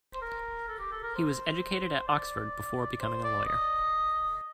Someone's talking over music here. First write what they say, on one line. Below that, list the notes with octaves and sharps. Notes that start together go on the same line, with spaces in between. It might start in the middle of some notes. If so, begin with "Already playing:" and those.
He was educated at Oxford before becoming a lawyer.
C5
A#4
A4
G4
A4
A#4
C5
D5
C5
D5
D#5